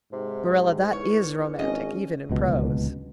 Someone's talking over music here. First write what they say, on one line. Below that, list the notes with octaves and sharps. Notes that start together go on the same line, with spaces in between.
Marilla, that IS romantic, even in prose.
G#2 C3
E2 C#5
G#1 C#4 D#5
D1 C#2 B2